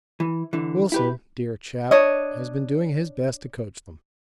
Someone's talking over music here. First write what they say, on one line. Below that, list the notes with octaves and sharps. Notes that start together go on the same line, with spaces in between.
Wilson, dear chap, has been doing his best to coach them.
E3
D3 E3
E4 G4 B4
D4 C#5 D#5